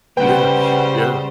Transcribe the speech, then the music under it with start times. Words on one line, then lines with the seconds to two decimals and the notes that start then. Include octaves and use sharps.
Yes. Yeah.
0.17 C#3 G3 B4 C5 F#5 G5